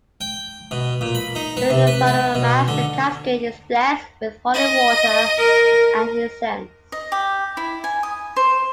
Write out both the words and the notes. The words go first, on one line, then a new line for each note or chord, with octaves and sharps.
During the Funeral Mass, the casket is blessed with holy water and incense.
G5
B2
A#2
B5
D#4
B3
C3
B4
B3
B2
D3
D#5
A#4
D#5
G4
E4
G#5
D#6
C5